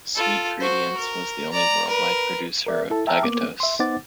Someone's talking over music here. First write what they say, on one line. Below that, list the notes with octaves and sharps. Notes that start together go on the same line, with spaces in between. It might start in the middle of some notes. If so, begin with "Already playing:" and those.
SweetGredients was the only worldwide producer of tagatose.
F4 A4
F#4 C5
A#4
D5 A#5
A#4 B4
A#4 D5 E5
E4 A4 A5
E5 G5 A5 A#5 E6 F6
A#3 B3 D6
E5 C6
B3 D#4 C5 F#5 D6 A6